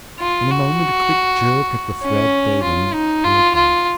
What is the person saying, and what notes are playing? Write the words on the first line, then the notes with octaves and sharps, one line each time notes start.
In a moment a quick jerk at the thread bade him pull again.
F4
F#4
C#4
F4
D#4
F4
F4